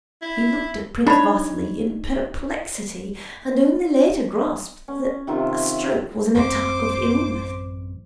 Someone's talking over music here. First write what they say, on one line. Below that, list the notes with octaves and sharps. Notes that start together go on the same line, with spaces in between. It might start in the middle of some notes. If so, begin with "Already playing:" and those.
He looked at Prince Vasili in perplexity, and only later grasped that a stroke was an attack of illness.
E4
D4 D#4 C#5 B5
C#4
C3 D#3 F4 E5
A1 F#2 C4 C5 D6